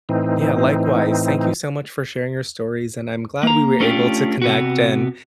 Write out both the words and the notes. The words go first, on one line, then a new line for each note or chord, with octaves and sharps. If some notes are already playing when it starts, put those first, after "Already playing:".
Yeah, likewise. Thank you so much for sharing your stories, and I'm glad we were able to connect and
A2 E3 C4 D#4
A#3 A#5
A3 C#4 D4 F4 G4
C3 B3 F#4